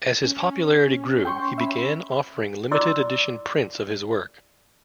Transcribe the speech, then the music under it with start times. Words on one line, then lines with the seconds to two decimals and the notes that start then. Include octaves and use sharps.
As his popularity grew he began offering limited edition prints of his work.
0.24 C#4
1.25 G5 C6 C#6
1.58 C#4 E5 B5
2.71 E4 D5 C6 D6 E6